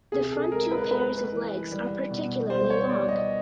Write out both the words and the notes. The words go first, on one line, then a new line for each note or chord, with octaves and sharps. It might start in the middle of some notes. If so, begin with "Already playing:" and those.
The front two pairs of legs are particularly long.
C3 G#4
A4
G#3 A#4
B4
G#3 B4
E3
G3
B2
G3 C5
C#5
B3 D5
D#5